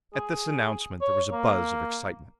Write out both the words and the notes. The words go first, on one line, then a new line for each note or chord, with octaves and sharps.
At this announcement there was a buzz of excitement.
G#4
C#5
A#3